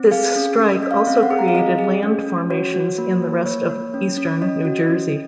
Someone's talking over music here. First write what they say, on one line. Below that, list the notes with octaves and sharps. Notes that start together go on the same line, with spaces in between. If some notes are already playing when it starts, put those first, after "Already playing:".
This strike also created land formations in the rest of eastern New Jersey.
Already playing: C4
G#4 F5
C#4
C#4
D#5
C#4
F5
C4 F5
F#5
G#4
A#5
F5
C4 D#5
G#4
C#4
C#4
F#4 C#5
F#4
A#3
A#3
A#3 C#5
A#3
C#4
C#4
C#4 D#5
F#4
C#4